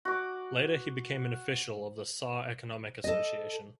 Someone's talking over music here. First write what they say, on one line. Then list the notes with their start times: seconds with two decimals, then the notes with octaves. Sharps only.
Later he became an official of the Saar Economic Association.
0.05 F#4 D6
3.04 A4 D#5